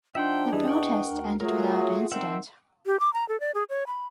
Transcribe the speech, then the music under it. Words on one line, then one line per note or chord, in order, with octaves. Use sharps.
The protest ended without incident.
F3 D4 D#4 E5 F#5 G5 C6
E2 E3 G3 G#4 D#5
F#5 G5 C#6
D2 A#4
F#3 A3 F4 F#4 G#4 A#4
D#3 C4 E5 F#5
G4
D6
A#5
A4
D5
G#4
C#5
B5